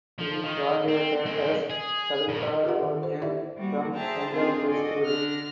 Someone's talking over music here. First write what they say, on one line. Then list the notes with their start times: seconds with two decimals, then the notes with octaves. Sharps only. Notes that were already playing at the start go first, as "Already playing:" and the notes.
He graduated as salutatorian from Central High School.
0.19 F3
0.44 D#3
0.88 C4
1.26 G#3 C4
1.70 G#4
2.28 G2 A#2
2.65 F4 G4 G#4 B4 E5 F#5
2.82 D#3
3.03 C5
3.22 E4 G4 D5 E5
3.57 G3 A#3 F#4
3.95 G#4 C5 E5 G5 A5 A#5
4.29 C4 D4 F4 G#4 C5
4.70 F#4 A4 D5 D#5 G#5
5.05 D3 D4 F6 A#6